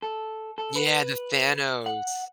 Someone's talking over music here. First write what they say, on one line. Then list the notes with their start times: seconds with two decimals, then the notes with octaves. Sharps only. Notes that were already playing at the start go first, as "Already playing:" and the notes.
Yeah, the Thanos.
0.02 A4
0.58 A4
0.76 B4
1.86 F#5